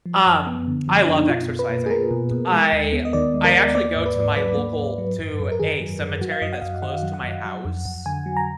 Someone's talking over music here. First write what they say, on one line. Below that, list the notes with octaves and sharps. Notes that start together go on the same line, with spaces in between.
Um, I love exercising. I I actually go to my local to a cemetery that's close to my house.
F3
F#2
B3
D3
F3
F#2 D4
D#4
B2 F4
B2
B4
A#3
G#4
A#3 A#4
B2
B2
G#3
D#2
B3
D#5
D#3 D5
G#3
A#4
D#2
A#3 D5
G#2
B4
G#2
D5
F#3 B4
A#3
G#2
F#3
F#2
F#2
A#4
D#3 G#4
F#3
F#2
F#3 F#4
F5
F#2 D#5
F#5
F#2 F5
D#3 F#5
F#3
F#5
F#2
F#3
F2
F2
D3 G#5
F#3
A#5